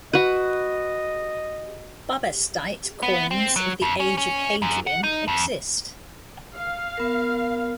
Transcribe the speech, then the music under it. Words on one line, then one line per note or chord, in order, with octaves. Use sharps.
Bubastite coins of the age of Hadrian exist.
F#4 B4 D#5
B3
C4
F#3
F2
C#4
C#4
F#2
F#5
D#4
F2
F5
B3 A#4